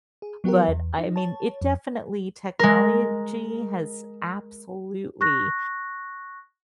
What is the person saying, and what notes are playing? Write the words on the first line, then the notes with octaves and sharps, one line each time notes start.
But, I mean, it definitely Technology has absolutely
G#4
F#3 B3 F#4 G4 A#4
E2
D#4
C#5 A5
F2
G#3 A#4
C#6 F#6 A#6